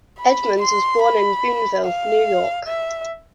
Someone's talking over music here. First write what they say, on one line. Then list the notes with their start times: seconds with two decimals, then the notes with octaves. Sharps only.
Edmonds was born in Boonville, New York.
0.20 B5
0.61 C6
1.02 B5
1.85 F5
2.68 E5